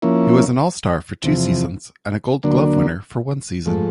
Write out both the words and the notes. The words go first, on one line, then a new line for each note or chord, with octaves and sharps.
He was an All-Star for two seasons and a Gold Glove winner one season.
F3 A#3 C#4 E4
E2 C3 F3
D2 D3 F#3 A#3 D4
G#2 F3 A3